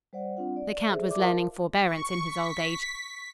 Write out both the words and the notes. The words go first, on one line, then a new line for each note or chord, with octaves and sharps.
The count was learning forbearance in his old age.
G3 C5 D5 F#5
G3 C4 D4 F4 F#5
D5
G#4 A4 C5 E5
D5 E5 D6
F4 A#4 C5 F5 A5 C6
C#6
B6